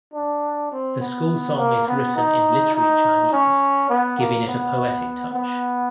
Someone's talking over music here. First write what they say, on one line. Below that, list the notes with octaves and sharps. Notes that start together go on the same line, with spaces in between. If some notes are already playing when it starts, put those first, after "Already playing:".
The school song is written in literary Chinese, giving it a poetic touch.
D4
C4
B3
A#3
B3
D#4
D#4
C#4
B3
A#3
B3
B3